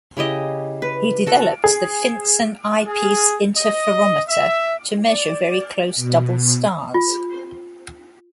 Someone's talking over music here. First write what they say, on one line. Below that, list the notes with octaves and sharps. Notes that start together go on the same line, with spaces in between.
He developed the Finsen eyepiece interferometer to measure very close double stars.
C#3 E4 G4 D#5
B4
F#4 A4
G#4
G#4
D#5
E5
D5
B2
F4